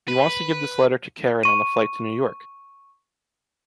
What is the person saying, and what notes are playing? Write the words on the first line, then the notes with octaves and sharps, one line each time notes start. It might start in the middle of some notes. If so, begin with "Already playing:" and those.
He wants to give this letter to Karen on the flight to New York.
B4
C#6 D#7